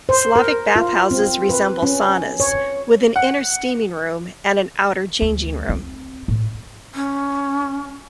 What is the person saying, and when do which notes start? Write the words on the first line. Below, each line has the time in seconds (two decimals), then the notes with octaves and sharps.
Slavic bathhouses resemble saunas, with an inner steaming room and an outer changing room.
0.09 C5
0.36 A#4
0.76 F4
1.11 C4
1.49 B4
1.83 C#4
2.40 C#5
3.16 F#5
5.22 D2
5.69 C4
6.28 A2
6.95 C#4